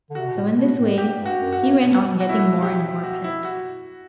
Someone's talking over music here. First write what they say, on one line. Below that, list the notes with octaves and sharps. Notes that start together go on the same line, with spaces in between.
So in this way he went on getting more and more pets.
D3
C3 F#4
B2
A2
B2
A2
G2 G4
G2
F#4
F#2
F#4
G2
B2
F#4
E4
F#4
G4
F#4
E4
F#4